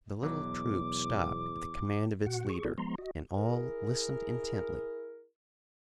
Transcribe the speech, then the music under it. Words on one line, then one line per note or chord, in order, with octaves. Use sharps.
The little troop stopped at the command of its leader and all listened intently.
E2 B2 F#3 D6
A#2 F#4 F#5
G#4 C#6
B3 E4 F#4 G#4 A4 D5
F3 G#3 B3 A#5 C6
F#4 D#5
E4 G#4 A#4